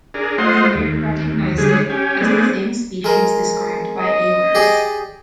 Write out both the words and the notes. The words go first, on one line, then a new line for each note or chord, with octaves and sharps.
He later recognised it as the same species described by Ehlers.
D4 G#4 A#4
A3 F4 C5 D#5 F#5 C6
D#2
D3 G3 G#3 G#4
C#4 G4 G#5
A3 B3 C4 D4 G#4
G#3 A#4
D#5
G4 G#4 D5